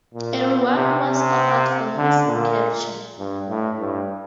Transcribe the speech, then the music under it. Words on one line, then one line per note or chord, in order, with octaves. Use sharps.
A reward was offered for his recapture.
A#2
C3
C3
D3
A#2
G2
A2
G2